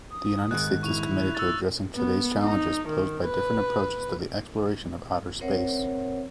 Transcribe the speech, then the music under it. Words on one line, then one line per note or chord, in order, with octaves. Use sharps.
The United States is committed to addressing today’s challenges posed by different approaches to the exploration of outer space.
D#6
G#2 D#3 F#6
E4 C#6 F7
E6 F#6 A6
B3
D#4
D#3
B4
C4 A#4 C5 C#5 E5 F#5